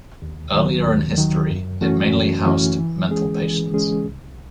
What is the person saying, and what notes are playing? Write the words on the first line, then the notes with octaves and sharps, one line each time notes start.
Earlier in history, it mainly housed mental patients.
D#2
D#3 F#3
D#2
D#3 F#3
F#2
E3 A3 C#4 F#4
F#2
E3 A3 C#4 F#4
E3
G#3 C#4 G#4
E3
G#3 C#4 G#4
C2